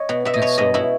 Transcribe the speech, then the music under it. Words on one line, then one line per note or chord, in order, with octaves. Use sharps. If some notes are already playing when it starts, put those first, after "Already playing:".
and so,
Already playing: C#5 D#5
B2
B2 E5
D#5
B2 C#5
B2 D#5
B2 E4